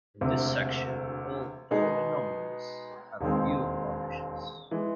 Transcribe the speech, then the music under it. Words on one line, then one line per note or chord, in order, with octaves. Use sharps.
In this section, all polynomials have real coefficients.
E1 D2 C3
B2 G#3 B3 D#4 G#4
E1 D#2 D#3 G#3 C4
E3 G#3